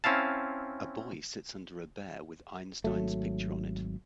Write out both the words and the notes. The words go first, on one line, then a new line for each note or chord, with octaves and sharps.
A boy sits under a bear with Einstein 's picture on it.
C4 C#4 E4 F5 A5
G#1 F#3 A3